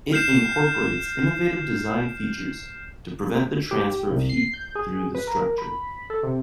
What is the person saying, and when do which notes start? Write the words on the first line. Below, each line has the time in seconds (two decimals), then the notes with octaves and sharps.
It incorporates innovative design features to prevent the transfer of heat through the structure.
0.12 F6 G6 C7 E7
3.71 G4
4.11 C2
4.29 C7
4.53 G6
4.75 G#4
5.15 B4
5.27 A#4
5.58 B5
6.10 A4
6.23 C3